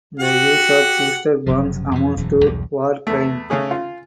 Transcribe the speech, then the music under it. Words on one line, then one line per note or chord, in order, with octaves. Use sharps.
The use of cluster bombs amounts to war crime.
F#4 G4 F#5
F#1 F#2 C3 F3
F2 B2 D#3 E3
E1 F#2 B2 E3
B1 E2 G2
E2 A3
C#3 A3 C#4 G#4
F4